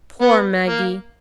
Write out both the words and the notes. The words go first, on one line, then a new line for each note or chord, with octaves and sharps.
Poor Maggie!
B3
A#3